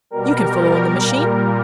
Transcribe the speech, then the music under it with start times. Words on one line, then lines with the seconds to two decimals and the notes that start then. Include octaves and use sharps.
You can follow on the machine?'
0.10 B2 G3 A#4
1.01 A#2 G3